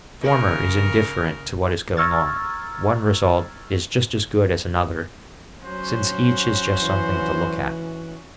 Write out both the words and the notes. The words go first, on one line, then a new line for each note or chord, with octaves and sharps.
The former is indifferent to what is going on; one result is just as good as another, since each is just something to look at.
C#3 A#4
A#5 C#6 E6 F6 G#6 A6
F#3 C#4 F#4 C5
E3